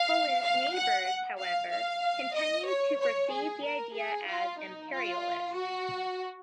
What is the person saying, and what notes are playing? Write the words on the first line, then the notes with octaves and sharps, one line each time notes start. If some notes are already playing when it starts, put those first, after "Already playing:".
Poland's neighbors, however, continued to perceive the idea as imperialist.
Already playing: F5
F5
F#5
F5
F5
D#5
C#5
C#5
G#4
A#4
G#4
F4
D#4
F4
F#4